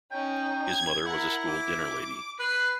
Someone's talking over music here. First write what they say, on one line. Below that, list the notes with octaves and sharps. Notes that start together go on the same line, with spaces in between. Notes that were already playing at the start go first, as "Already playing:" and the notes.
His mother was a school dinner lady.
C#4 D#4 G5
G#6
E4 A#4 F#5
D6
B4 C7